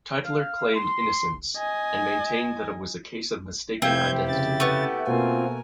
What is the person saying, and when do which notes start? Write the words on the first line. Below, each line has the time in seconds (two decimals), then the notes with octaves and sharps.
Tytler claimed innocence, and maintained that it was a case of mistaken identity.
0.25 F5
0.74 C6
1.57 D#5 G#5
3.82 F1 C4 E4 G4 F5 G6 G#6
4.28 C#3 A6
4.60 A3 B3
5.07 B2 A#3 C4 F4 A#4 G#5